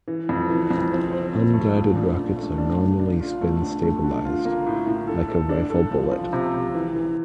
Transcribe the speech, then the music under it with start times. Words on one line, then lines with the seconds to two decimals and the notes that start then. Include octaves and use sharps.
Unguided rockets are normally spin stabilized, like a rifle bullet.
0.08 E3
0.29 F2
0.50 E3
0.71 F2
0.92 C4
1.12 C4
1.33 C4
1.54 A3
1.75 A#2
1.95 D4
2.16 D4
2.37 A3
2.58 D4
2.78 D4
3.00 D4
3.21 F4
3.41 A3
3.62 D3
3.83 A3
4.04 D3
4.25 F4
4.45 A#3
4.66 A2
4.87 A2
5.08 A4
5.28 A4
5.49 D4
5.70 A4
5.91 F3
6.12 F3
6.33 C3
6.54 C3
6.74 E3
6.95 E3